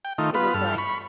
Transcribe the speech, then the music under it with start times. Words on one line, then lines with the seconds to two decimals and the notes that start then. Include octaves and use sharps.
it was like
0.05 G5
0.18 D#3 A3 D#4 F4
0.35 B3 F4 B4
0.54 G2 A4 F6
0.78 B5 C#6